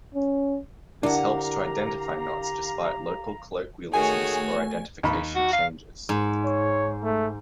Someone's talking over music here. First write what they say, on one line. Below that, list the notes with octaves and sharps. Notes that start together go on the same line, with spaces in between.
This helps to identify knots despite local colloquialisms or identification changes.
C#4
D3 D4 E4 G4 A#4 F5 F#5 A#5
D#3 A3 F#4 G#4 C#5 G#5
D#2 B5
F#4
F5
G#2
C#5
A3